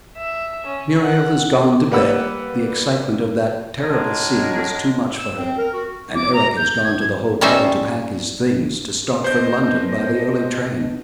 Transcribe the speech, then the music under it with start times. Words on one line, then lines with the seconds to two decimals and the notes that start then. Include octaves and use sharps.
"Muriel is gone to bed--the excitement of that terrible scene was too much for her--and Eric has gone to the hotel to pack his things, to start for London by the early train."
0.17 E5
0.67 C#4
1.01 F#5
1.91 G3 A#3 B4 F#5 B5 E6
3.83 D#3 F#3 G#3 D4 G#4 A#4
5.18 E6
5.37 C4
5.57 A#4
5.73 F#4
6.15 D6
6.34 A#5
6.57 G6
6.84 G#6
7.41 G3 C#4 D#4 C5 E5
9.24 B3 D4 C5 D#5 G6